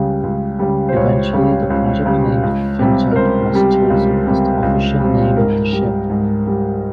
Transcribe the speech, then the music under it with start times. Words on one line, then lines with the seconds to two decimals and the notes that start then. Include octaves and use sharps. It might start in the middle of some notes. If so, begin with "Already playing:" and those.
Eventually the project name "Finnjet" was chosen as the official name of the ship.
Already playing: C#2 C#3 G3
0.23 C#2
0.59 C#3 G3
0.89 C5
0.96 C#2 C#5
1.33 C#3 G3
1.70 C#2
2.06 C#3 G3
2.43 C#2
2.79 C3 G3
3.11 A#4
3.16 C#2 C5
3.53 C3 G3
3.90 C#2
4.27 C3 G3
4.63 C#2
5.00 C3 G3
5.36 G#2 A#4
5.73 G3
6.10 G#2
6.47 G3